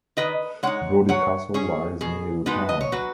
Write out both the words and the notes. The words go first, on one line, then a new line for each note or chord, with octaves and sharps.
Brodie Castle lies near the town.
D#3 B4 D#5
G#3 D#4 C#5 F#5
F#3 C#5 F#5
C#4 G#4 C#5
B2 G#4
G#3 B3 D#4 F#4 B4
D#5
C#5
F#3 F#4 B4